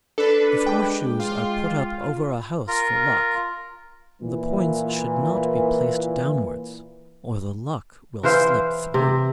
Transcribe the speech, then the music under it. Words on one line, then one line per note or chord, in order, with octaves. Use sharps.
If horseshoes are put up over a house for luck, the points should not be placed downwards, or the luck will slip through.
D4 A4 B4
G#3 G5 D6
F4
F4 A#4
A#2 E3
E3 B4 C5 F5
C3